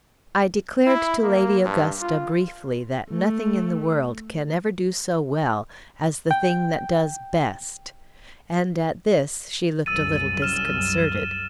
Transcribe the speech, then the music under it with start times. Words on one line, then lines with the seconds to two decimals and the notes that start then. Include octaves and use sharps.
I declared to Lady Augusta briefly that nothing in the world can ever do so well as the thing that does best; and at this she looked a little disconcerted.
0.87 E4
1.23 A#3
1.64 G2
2.01 F4
3.10 A3
6.31 G5
9.86 C2 F#2 E6 A6 D#7
10.42 F6 E7